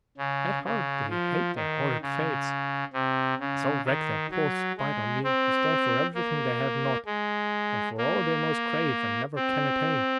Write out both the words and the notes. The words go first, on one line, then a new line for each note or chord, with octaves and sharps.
At heart they hate their horrid fates, and so wreak their poor spite on me who stand for everything they have not, and for all they most crave and never can attain.
C#3
C#3
F3
D#3
C#3
C3
C#3
D#3
F#3
G#3
C4
A#3
G#3
A#3
C4